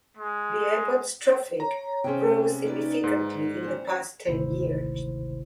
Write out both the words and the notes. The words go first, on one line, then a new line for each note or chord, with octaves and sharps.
The airport's traffic rose significantly in the past ten years.
G#3
C#5 A#5
C3 C4 C#4 G#4 G5
G#3 G4
A#3 D#4 B4 D5
G#2
A#2 E3 G3 C#4 C5
G#1 D2 C3 E4 C5